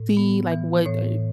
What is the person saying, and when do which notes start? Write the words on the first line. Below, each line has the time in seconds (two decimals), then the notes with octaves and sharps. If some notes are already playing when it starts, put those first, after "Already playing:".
see, like, what, uh,
Already playing: A2
0.17 B3
0.52 E3
0.86 A2 C#5